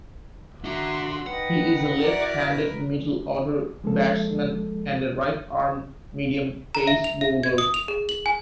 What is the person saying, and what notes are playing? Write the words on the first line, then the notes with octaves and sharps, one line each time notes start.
He is a left-handed middle-order batsman and a right-arm medium pace bowler.
D4 F#4 E5 F#5 A#5 C6
D#4 B4 F#5 G5
E4 F#4 A#4 D5 E5
B4
F3 G#3 A#3 A4
A#5
E5
F7
E5
G#6
D#6
F7
G#4
F#7
G#5